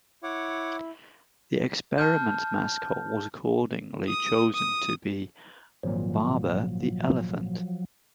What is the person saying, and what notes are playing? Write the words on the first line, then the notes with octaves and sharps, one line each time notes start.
The experiment's mascot was accordingly chosen to be Babar the Elephant.
E4 C#5 F#5 D6
A5 F6 G6
D#6
D#6
G#1 A#2 F3 F#3